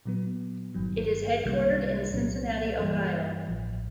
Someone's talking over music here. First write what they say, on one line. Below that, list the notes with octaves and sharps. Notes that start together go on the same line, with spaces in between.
It is headquartered in Cincinnati, Ohio.
A#2 F#3 B3
G1 G2 D#3 F#3
C2 C3 D#3 G3 A#3
C2 A#2 F#3 A3 C#4
G2 E3 G3 A#3
A1 A2 F3